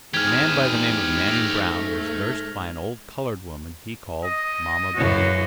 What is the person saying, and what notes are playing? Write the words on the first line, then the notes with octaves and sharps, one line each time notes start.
A man by the name of Manning Brown was nursed by an old colored woman he called mamma Betty.
E2 G#2 G4 D#5 F6 G#6
A3 A#6 F7
D#5
F#2 C#3 E3 F#4